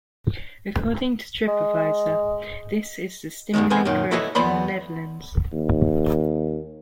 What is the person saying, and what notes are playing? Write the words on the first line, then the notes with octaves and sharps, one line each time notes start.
According to TripAdvisor, this is to stimulate growth in The Netherlands.
G#3
G2 B2 D3 D#3 G#3
E2 B3 C4 A4 G#5 C6
F#2 A#2 D#3
E4 F#4 A4 B4 C#5 D#5
E2 B3 D5 B5 C6
D#2